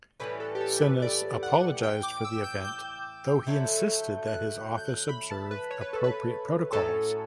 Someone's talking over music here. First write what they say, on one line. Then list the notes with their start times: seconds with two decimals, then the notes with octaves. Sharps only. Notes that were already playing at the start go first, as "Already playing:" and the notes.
Sinas apologized for the event though he insisted that his office observed appropriate protocols.
0.20 A2 E3 G3 C#4 B4
0.40 A4
0.55 G4
0.61 A4
0.81 B4
1.02 D5
1.43 F#5
1.83 G5
2.03 D6
2.25 E6
2.44 G6
2.65 G6
3.47 D3 F#3 A3 E4
4.27 F#6
4.78 G6
4.87 F#6
4.96 G6
5.09 B5
5.30 A5
5.51 B4
5.71 C#5
5.81 B4
5.93 A4
6.04 B4
6.72 A2 F#3 C#4 A4